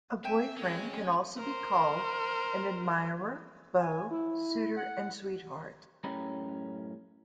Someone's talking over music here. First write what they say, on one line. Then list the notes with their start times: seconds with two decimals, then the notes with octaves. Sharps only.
A boyfriend can also be called an admirer, beau, suitor and sweetheart.
0.25 C4 C5 E5 G5 G#5
0.57 F#3 G#3 C#4 D#5
1.38 A#4 C5
3.79 G#5
4.11 E4
4.77 F#5
6.04 F#2 A2 C#4 G4 A#4 B5